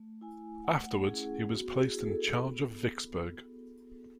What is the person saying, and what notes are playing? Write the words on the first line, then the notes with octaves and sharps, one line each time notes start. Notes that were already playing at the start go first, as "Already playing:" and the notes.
Afterwards he was placed in charge of Vicksburg.
Already playing: A3
E4 G#5
A3 F#5
C#4 E4 G#4
B3 F#4
G#4
E4
A4
B3